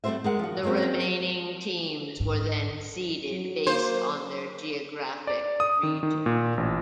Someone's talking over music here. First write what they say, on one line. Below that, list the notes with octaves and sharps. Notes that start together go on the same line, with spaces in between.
The remaining teams were then seeded based on their geographic region.
G3 A3 C4 F#4 C5 E5
G#3 A#4 F#5
F3 F#4
F#3 G#3 A#3 C4 C#4
G#2
F#3
A#3 C5
D5
D#6
D#3
D#3
A#2
A1